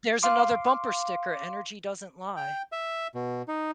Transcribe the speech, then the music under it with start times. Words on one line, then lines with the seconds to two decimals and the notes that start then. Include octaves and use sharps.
There's another bumper sticker. Energy doesn't lie.
0.23 F5 C6 D6
2.37 G5
2.72 E5
3.15 B2
3.48 D#4